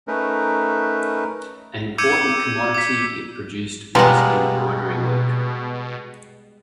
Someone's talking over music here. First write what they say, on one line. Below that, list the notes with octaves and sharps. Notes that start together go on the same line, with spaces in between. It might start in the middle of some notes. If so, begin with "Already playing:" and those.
An important commodity it produced was embroidery work.
A3 C#4 D#4 A#4 B4
D6 E6 G6 G#6 C#7 D#7
D6 B6
B2 G3 G#3 B3 F4 A#4